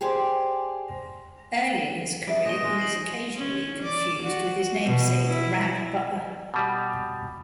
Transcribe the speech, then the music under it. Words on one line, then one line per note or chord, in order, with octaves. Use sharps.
Early in his career, he was occasionally confused with his namesake Rab Butler.
G4 G#4 C5 D5
G3 D4 G#4 E5 D7
A#2 F#4 D#5 G#5 A#6 D7 G7
G#3 D#4
C7 E7 F#7
C#4
D5
F#4
B2
E4
B2 G3